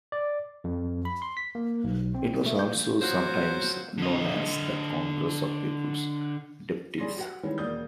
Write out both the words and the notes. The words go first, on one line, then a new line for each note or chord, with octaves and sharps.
It was also sometimes known as the Congress of People's Deputies.
D5
F2
B5
C6
B6
A#3
B1
C4
A3
G6
F#3 F4 F#4 C5
D3 D#5
G3 G#4 D5 C6 A#6
F#4 G4 F#5
D#3 E3 G3 G#3 B3 C#4
E1 A#3 D5 D#6 G6